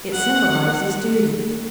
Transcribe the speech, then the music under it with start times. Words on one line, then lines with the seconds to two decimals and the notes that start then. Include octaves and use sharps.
It symbolizes duty.
0.13 F#5